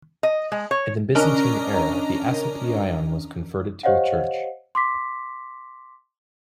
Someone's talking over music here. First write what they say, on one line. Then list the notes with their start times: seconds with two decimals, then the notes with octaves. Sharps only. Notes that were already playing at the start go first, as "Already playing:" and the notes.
In the Byzantine era, the asclepieion was converted to a church.
0.23 D#5
0.52 G#3
0.71 C#5
1.15 C#4 D4 A#4 D#5 A#5
3.83 G4 C5 C#5 D#5 F5 F#5
4.75 C6 D6 B6